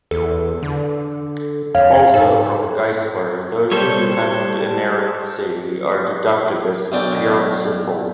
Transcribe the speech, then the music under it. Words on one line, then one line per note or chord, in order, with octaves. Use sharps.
Also, from Geisler:Those who defend inerrancy are deductivists pure and simple.
E2 A4
D3
F2 C#5 F5
G#2 A4
G3 A4 C5 C#5
B1 D4 G5